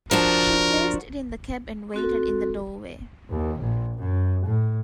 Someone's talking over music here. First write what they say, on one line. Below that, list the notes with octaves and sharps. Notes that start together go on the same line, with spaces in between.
She placed it in the cab and waited in the doorway.
F3 D4 F#4 A#4
C4 F#4 A4
D#2
A#1
F#2
A2